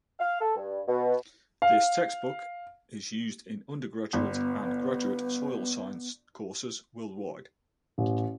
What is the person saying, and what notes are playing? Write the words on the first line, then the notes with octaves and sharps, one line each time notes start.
This textbook is used in undergraduate and graduate soil science courses worldwide.
F5
A4
G2
B2
F5
G1 B3
A1